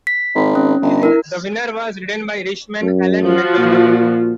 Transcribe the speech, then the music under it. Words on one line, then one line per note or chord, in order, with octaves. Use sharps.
The winner was ridden by Irishman, Alan McDonough.
B6
G#1
C#4
G1
E4 A#4
F#2
F3 F4 F#4
A#2